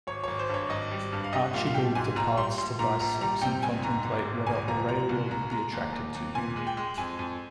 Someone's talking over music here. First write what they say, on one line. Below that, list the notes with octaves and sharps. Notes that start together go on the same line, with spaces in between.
Archibald departs to buy socks and contemplate whether Aurelia would be attracted to him.
G#1 C#5
G#1 C#5
C5
G2 C#5
G#1 D#5
G3
G2
F5
G3 D#5
A#2 F5
F5
A#1 G5
G#2 G#5
A#1 A#5
G3 C6
A#1 C6
A#2 A#5
A#1 A#5
G3 A#5
C3 G5
C#2 G#5
G#2 A#5
G#1
G#1
C#2 G#5
F3 A#5
G#3 A#5
C2
C2 A#5
G#3 A#5
D#2
D#2
D#2
A#2 G#5
G#3
G5
G#3
F2 G#5
F2